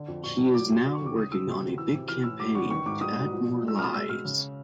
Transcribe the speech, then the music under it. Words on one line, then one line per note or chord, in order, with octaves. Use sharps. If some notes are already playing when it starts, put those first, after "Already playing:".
He is now working on a big campaign to add more lies.
Already playing: D3
F2
A#2 C#6
C2
F#3 D6
B2
D3
C#6
D#2
D6
C#3 D#6
F#2 E6
C3
D2
E3 E6
C3
E3 F6
A2 E6
B2 D6
E2 C#6
D#3 C#6
G#2 D6
G3 D#6
B2
F3
A#2
G#3
E6
B2 F6
G#3 E6
B2 F6
C#3